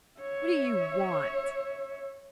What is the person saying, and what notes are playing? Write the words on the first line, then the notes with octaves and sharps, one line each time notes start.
"What do you want?"
C#5 E5